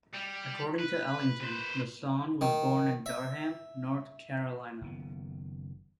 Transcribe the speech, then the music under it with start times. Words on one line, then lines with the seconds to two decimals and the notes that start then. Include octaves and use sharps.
According to Ellington, the song was born in Durham, North Carolina.
0.13 G3
0.79 B4
1.41 B4 C5
2.41 D#3
3.06 E5
4.82 F#1 D#3 B3